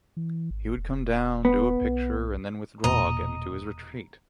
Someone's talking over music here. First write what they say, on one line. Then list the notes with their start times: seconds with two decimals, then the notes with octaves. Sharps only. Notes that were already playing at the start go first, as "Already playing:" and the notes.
He would come down, do a picture, and then withdraw again to his retreat.
0.17 E3
0.50 G#1
0.77 E1
1.45 B3
1.82 B1
2.84 E1 A#2 D#5 A#5